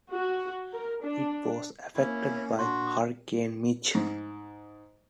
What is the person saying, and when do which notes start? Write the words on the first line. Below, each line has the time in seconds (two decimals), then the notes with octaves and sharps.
It was affected by Hurricane Mitch.
0.12 F#4
0.74 A#4
1.05 D4
1.95 A#3 C#4 E4
2.59 A#2 D4 F#4 C6
3.95 G#2